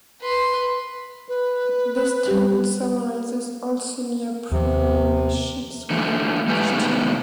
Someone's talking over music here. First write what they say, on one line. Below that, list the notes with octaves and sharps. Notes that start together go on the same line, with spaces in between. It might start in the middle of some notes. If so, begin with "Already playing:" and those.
This table summarises all senior premierships won by each team.
B4 C6
B4
G3 G4
D#2 C3 F3
D3 E3 F3 A3 A#3
A2 G#3 A3 G4 B4 G#5
A2 C3 D#3 G#3 B3